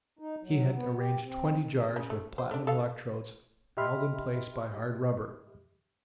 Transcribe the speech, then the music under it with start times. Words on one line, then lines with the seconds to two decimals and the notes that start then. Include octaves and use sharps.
He had arranged twenty jars with platinum electrodes held in place by hard rubber.
0.19 D#4
0.43 F#3
0.73 B3
0.98 G4
1.23 C4
1.96 C#3
2.10 A3
2.38 C5
2.51 A3 D4
2.67 A4 F5
3.77 G4 D#5 E5 B5 C6 F6